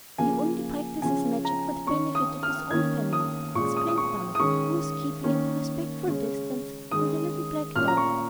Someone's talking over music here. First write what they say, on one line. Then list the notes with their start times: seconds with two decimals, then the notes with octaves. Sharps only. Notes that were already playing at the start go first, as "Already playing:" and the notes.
"He only practices magic for the benefit of his own family," explained Bungle, who was keeping at a respectful distance from the little black dog.
0.18 C#3 F3 A#3 G#5
1.02 C#3 F3 C#4 G#5
1.45 A#5
1.87 D#3 C#4 C#6
2.15 D#6
2.43 F6
2.71 D#3 A#3 C#4 G#6
3.13 D#6
3.55 A#2 G#3 C#4 C#6
3.77 D#6
3.88 D#6
3.98 C#6
4.35 D#6
4.39 D#3 G#3 C#4 C#6
5.24 D#3 A#3 C#4
6.07 C#3 G#3 C#4
6.91 D#3 G#3 C#4 D#6
7.76 A#2 A#3 C#4 F6
7.88 A#5
7.97 C#6